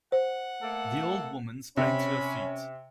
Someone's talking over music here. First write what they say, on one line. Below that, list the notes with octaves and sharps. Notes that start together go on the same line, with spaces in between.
The old woman sprang to her feet.
C5 F#5
A3 A#3 A4
C3 C#4 B5